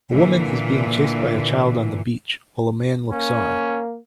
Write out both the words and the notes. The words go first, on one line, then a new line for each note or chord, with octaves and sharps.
A woman is being chased by a child on the beach while a man looks on.
A#2 D3 E3
A#3 C#4